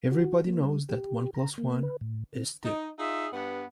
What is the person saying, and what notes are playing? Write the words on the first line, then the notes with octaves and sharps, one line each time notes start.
Everybody knows that one plus one is two.
F#4
A#3
G3
G4
A#5
A#3
B4
A2
C4
D#4
D#4 F4 G#4 E5
G2 B3